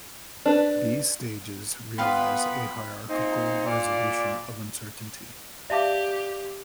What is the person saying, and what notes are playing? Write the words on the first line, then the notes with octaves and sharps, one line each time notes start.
These stages realize a "hierarchical resolution of uncertainty".
D4 B4
B3 F4 B4 F5 G5 B5 C6
A#2 C4 D#4
A#2 D5
G4 D5 E5 F5 A5 D6